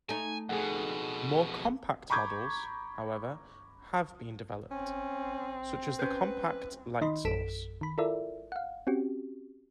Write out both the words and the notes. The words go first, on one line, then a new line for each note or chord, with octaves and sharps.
More compact models, however, have been developed, such as the Compact Light Source.
A3 D#4 G#5
F2 B2 G#4 A4 F#5
A#5 B5 C#6 D6 G6 G#6
C4 C#4
C#4 B4 C5
D#3 D#4 D#5 B5 C6
A#1 F#2 A4 B6 D7 E7
D#3 B5
E4 F4 A4 A#4 D5 E5
F5 F#5
C4 C#4 F#4 G4